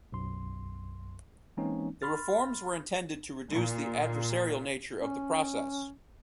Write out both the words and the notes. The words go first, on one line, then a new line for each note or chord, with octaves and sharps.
The reforms were intended to reduce the adversarial nature of the process.
B1 F#2 C6
E3 G#3 A#3 C4 C#4 D#4
B5 C6 F6 A6
A#2
C#4